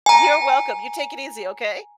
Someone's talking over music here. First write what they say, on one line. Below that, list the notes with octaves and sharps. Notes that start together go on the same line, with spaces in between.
You're welcome, you take it easy, okay?
G#5 A#5